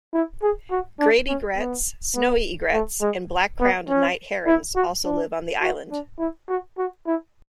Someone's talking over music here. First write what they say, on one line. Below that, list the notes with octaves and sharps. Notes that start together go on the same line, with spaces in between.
Great egrets, snowy egrets, and black-crowned night herons also live on the island.
E4
G#4
F#4
D4
C#4
B3
B3
A3
G#3
B3
C#4
E4
F#4
D4
F#4
D4
E4
F#4
F#4
E4